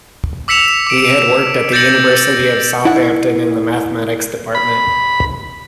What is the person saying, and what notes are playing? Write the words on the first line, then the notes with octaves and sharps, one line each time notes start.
He had worked at the University of Southampton in the Mathematics Department.
D6 E6 B6 C#7 E7 F7
D6 D7
G6 A6 A#6 C#7 F#7
E4 F#5
B5